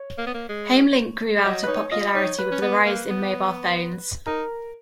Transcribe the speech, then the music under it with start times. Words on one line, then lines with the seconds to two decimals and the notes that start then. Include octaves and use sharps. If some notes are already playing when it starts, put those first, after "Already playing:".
HomeLink grew out of popularity with the rise in mobile phones.
Already playing: C#5
0.18 A#3
0.26 B3
0.34 A#3
0.49 G#3
1.37 G#3
1.44 F#3 D#5
1.63 B4
1.67 D#4 C#5
1.91 F4 D#5
2.15 D#4 C#5
2.38 B4
2.52 C#4
2.62 B3
2.86 A#3
3.10 B3
4.27 D#4 A#4